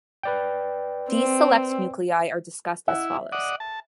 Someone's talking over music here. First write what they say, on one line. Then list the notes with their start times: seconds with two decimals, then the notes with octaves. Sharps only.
These select nuclei are discussed as follows.
0.23 B4 D5 G5
1.09 C4
2.88 E4 D#5 F#5
3.13 E5
3.32 D5 D#5 F#5
3.60 A5